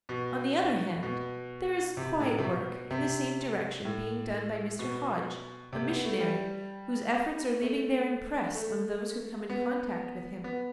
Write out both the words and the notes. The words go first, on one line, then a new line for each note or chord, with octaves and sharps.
On the other hand, there is quiet work in the same direction being done by Mr. Hodge, a missionary whose efforts are leaving their impress on those who come in contact with him.
B2
B2
C3
A2
C3
B2
C3
A2
B2
C3
B3
A3
G3
A3
A3
B3
B3